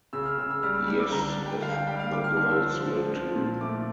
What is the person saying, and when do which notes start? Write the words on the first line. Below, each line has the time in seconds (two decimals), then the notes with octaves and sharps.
Yes, if the girls will too.
0.13 C#3 E6
0.26 F6
0.38 C#3 E6
0.51 E6
0.63 G3 F6
0.75 E6
0.87 G3 E6
1.00 D6
1.12 D3 A#5
1.30 A5
1.38 G3
1.46 G5
1.62 D3 F5
1.74 G5
1.87 G3 G5
2.00 F5
2.12 D3 D6
2.24 F6
2.37 D3 F6
2.50 E6
2.61 F3
2.87 F3
3.12 F3
3.36 A#2
3.61 A3 D6